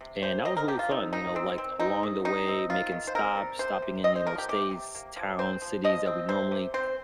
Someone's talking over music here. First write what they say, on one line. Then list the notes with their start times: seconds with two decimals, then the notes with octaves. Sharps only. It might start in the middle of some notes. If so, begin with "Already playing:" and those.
and that was really fun, you know, like, along the way making stops, stopping in, you know, states, towns, cities that we normally
0.01 C3
0.23 C3 C5
0.45 C4 D#5
0.57 A#4
0.68 F3 G4
0.79 F4
0.91 C4 D#4
1.13 D#3 D#4
1.35 D#3 C4
1.58 C4
1.80 C4 D#4
2.03 D#3
2.25 D#3 D#4
2.48 C4
2.70 D#3 F4
2.92 D#3
3.07 C5
3.15 C4 A#4
3.37 G3
3.59 C3 C5
3.82 C3
4.04 C4 D#5
4.16 C5
4.27 F3 A#4
4.38 G4
4.49 C3 G4
4.71 C3
4.95 A#3
5.17 F3
5.39 C4 C5
5.62 F3
5.84 F3 D#5
6.06 C4
6.28 C3 C5
6.51 C3
6.74 C4 C5